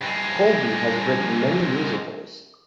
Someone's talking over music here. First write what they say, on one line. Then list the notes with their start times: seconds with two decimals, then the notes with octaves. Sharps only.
Colby has written many musicals.
0.01 G2 G#3